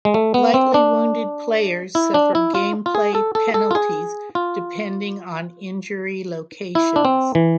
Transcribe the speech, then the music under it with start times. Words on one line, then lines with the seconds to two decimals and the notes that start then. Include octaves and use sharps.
Lightly wounded players suffer gameplay penalties depending on injury locations.
0.05 G#3
0.14 A3
0.34 B3
0.54 C4
0.74 D4
1.95 E4
2.14 D4
2.35 E4
2.55 F4
2.86 F4
2.95 G#4
3.15 A4
3.35 A4
3.54 A4
3.71 F4
3.75 G#4
4.35 F4
6.75 E4
6.96 D4
7.05 C4
7.35 E3